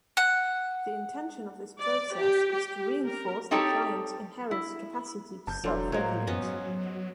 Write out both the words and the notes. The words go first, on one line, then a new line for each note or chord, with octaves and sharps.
The intention of this process is to reinforce the client's inherent capacity to self-regulate.
F#5
D5
G4
G4
A#4
C4 D#4 G4 A4 C#5
E4
F#1 A5 G6
E1 F#3 D4 A4 C6
A2 F#3 G#3 A#3 C5 G#6
F#2 B3 C#4 D#5
F#3